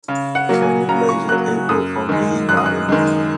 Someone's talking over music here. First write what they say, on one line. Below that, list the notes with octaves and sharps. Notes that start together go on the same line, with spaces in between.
Can you lay the table for me, darling?
C#3
F#5
F#3 A#3
G#5
C#3 A#5
C#6
F#3 A#3 F#6
F#2 D#6
D#3 G#3
F#2 F#6
D#6
F#6
D#3 G#3